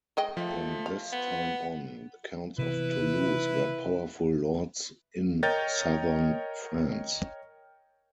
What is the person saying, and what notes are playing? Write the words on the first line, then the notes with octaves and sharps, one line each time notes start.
From this time on, the counts of Toulouse were powerful lords in southern France.
G#3 D#5 G5
F3 A3
F5
B3
C3 E3 B3 E4 B4
A#4 C#5 D#5 G5 G6 A6